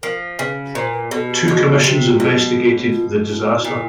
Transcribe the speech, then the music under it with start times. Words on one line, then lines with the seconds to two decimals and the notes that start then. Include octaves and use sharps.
Two commissions investigated the disaster.
0.03 F3 A#4
0.39 C#3 B4
0.75 A#2 C5
0.93 B4
1.11 B2 A4
1.29 G4
1.48 B2 F#4
1.84 C3 F#4
2.02 F4
2.20 B2
2.92 F4
3.28 E4
3.64 A#2